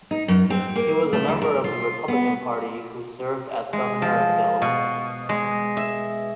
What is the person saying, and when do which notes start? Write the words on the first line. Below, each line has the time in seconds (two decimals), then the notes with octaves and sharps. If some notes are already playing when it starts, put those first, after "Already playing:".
He was a member of the Republican Party who served as Governor of Delaware.
0.11 D#4
0.28 F#2
0.50 C4
0.75 A#3
1.13 A3
1.28 D2
1.42 A#4
1.64 F4
2.08 B3
3.73 G#3
4.02 F3
4.62 B2
5.29 G#3
5.77 E5